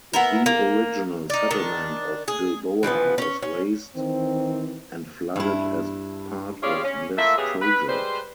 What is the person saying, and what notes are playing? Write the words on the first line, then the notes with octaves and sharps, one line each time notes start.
The original settlement of Gilboa was razed and flooded as part of this project.
B3 E4 A#4
A#3
D#4 D5
D#3 D4
G#4
E3 F3 G3 B3
C#4 C#5
C#4
D#3 E3 C4
G2 E4
F4 G4 G#4 C#5 D5 F5
C#4
A3 A#3 F4 E5
C#3 B3 G4 G#4
B4
G3 G#3 B4 C5